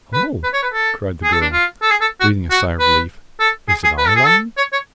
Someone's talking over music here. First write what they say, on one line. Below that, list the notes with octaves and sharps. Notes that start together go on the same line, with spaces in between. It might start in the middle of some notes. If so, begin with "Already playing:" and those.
"Oh!" cried the girl, breathing a sigh of relief, "is it our lion?"
B4
B4
C#5
B4
A4
G#4
A4
D4
F4
A4
G#4
A4
F#4
F#4
B4
A4
G#4
G#4
B4
A4
G#4
A4
C#5
C#5